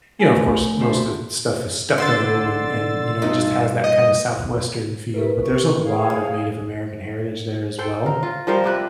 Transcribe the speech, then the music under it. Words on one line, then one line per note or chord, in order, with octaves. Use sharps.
you know, of course, most of the stuff is stucco and and, you know, it just has that kinda southwestern feel, but there's a lot of Native American heritage there as well,
A3 D4 E4 A#4 G#5
D3 D4 F#4 C5 E5 B5
D3 C6 E6 A6
G2 D#4
D#5
G4 A#4 B4 E5
C#6
G#4 C#5 F5
A4 C5 G5
A#4
F4
F3 G3 A#4 C5
C3 G4 B4